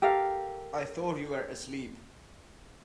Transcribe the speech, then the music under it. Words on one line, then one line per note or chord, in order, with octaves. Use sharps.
I thought you were asleep.
G4 A4 A#4 F5